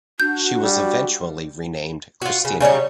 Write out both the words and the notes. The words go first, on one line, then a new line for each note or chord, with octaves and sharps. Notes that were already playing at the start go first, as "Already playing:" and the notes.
She was eventually renamed "Cristina".
D4 F#4 G6
G3
F4 F#4
C#3
C#3 G3 D#4 C#5